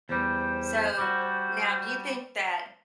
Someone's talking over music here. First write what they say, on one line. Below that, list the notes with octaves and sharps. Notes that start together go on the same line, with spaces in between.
So, now, do you think that
E2 G3 C5
G3 F#4